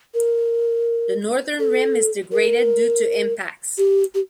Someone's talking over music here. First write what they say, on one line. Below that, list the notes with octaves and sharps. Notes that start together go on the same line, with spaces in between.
The northern rim is degraded due to impacts.
A#4
A4
A#4
G4
G4